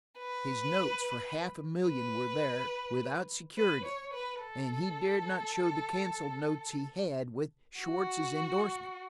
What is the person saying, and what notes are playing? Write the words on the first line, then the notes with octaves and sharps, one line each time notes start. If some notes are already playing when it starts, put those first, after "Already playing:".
His notes for half a million were there, without security, and he dared not show the canceled notes he had, with Schwartz's indorsement.
B4
B4
B4
C#5
B4
A4
F#4